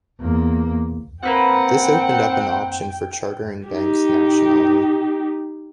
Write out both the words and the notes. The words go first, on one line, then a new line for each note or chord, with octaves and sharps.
This opened up an option for chartering banks nationally.
E2 A#3
A#3 C4 B4 F#5 G5 F#6
D#4 G4